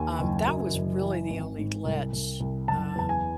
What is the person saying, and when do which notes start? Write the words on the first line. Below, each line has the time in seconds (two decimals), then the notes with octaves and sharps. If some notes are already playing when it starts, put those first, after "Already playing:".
um, that was really the only glitch, um
Already playing: D#2 G#5
0.19 F#1
0.47 F#2
0.74 F#1
1.02 E3
1.30 G#1
1.58 G#2
1.85 C2
2.12 C2
2.40 C2
2.68 F#1 A5
2.95 E2 A5
3.09 G#5